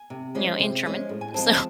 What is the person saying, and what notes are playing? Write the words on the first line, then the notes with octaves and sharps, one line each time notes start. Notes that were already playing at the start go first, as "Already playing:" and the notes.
you know, in German. So,
Already playing: G#5
C3
F3 G#3 C#4
C3
F3 G#3 C#4
A2
G#5
F3 G#3 C4 A5
A5